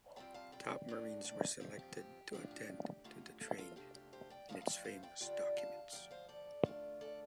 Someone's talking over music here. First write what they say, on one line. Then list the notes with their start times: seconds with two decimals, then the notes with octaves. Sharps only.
Top Marines were selected to attend to the train and its famous documents.
0.16 C3 G3 C4 F4 D5 G5
0.34 F5 A5
0.52 D5 G5
0.89 A2 A3 D4
1.24 D5 G5
1.60 G2 F3 C4 F4 G4
1.79 G4
1.97 G4
2.33 A2 F3 D4 F4
2.51 G4
3.04 D2 D3 A3 F4
3.41 F4 A4
3.58 F4 A4
3.76 C3 A3 D4 F4 G4
3.94 G4
4.13 G4 C5
4.30 D5 G5
4.49 A2 F3 A3 F4 F5 A5
4.62 F5
4.66 D5 G5
4.84 C5 F5
5.03 D5 G5
5.21 D2 D3 G3 D4 F4 D5 G5
5.57 F5 A5
5.93 C3 F3 D5 G5
5.98 D2
6.11 C5 F5
6.29 A4 D5
6.64 D3 A3 D4 F4
7.01 A4 D5